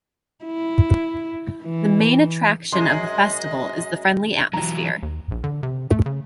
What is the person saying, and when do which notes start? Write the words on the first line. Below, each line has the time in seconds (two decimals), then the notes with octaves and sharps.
The main attraction of the festival is the friendly atmosphere.
0.45 E4
1.63 E3
2.72 F#2 G#3 D#5 C6
4.53 E3 F#3 A#5
5.03 D#2
5.31 A#1
5.44 D3
5.63 C3
5.91 A3
6.06 C#3